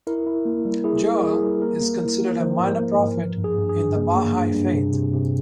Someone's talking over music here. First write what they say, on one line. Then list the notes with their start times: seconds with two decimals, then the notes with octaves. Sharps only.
Joel is considered a minor prophet in the Baha'i Faith.
0.07 E4 A#4
0.26 E4
0.45 A#3
0.65 G3
0.84 E4 G#4
1.04 E4
1.14 A#4
1.23 E4 G#4
1.43 G3
1.62 A#3 A#4
1.81 A#3
2.02 E4
2.21 A#3
2.40 F3 C5
2.59 G#2
2.67 A#4
2.79 A#3
2.98 G#2
3.17 F3
3.37 G2
3.44 G#4
3.57 G2
3.69 G#4
3.76 G2
3.96 A#3
4.15 A#3
4.34 G2
4.54 G2
4.73 C3
4.94 C3
5.13 C3